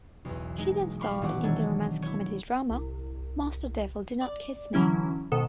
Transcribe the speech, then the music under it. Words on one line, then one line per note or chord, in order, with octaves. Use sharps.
She then starred in the romance comedy drama "Master Devil Do Not Kiss Me".
B1 E2
G#3 D#4
F5 B5 C#6 D6
D#1 E3 B3 F#4 F#5 D6
D#3 F#3 D4 A4 C#5
E4 C#5
C2
D5
D3 E3 F#3 C#4 E4
G#2 B2 D#3 A4 D#6